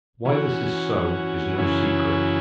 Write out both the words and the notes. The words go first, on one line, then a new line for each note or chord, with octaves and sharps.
Why this is so is no secret.
E3 C#4 F#4
F#2 C#3 E3 C#4 E4